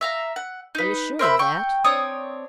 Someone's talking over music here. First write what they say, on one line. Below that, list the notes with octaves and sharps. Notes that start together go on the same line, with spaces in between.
"Are you sure of that?"
E5 F5 A#5
F#5
D#4 B4
A#4 C5 E5 B5
G5 C#6
C4 D4 C#5 D#6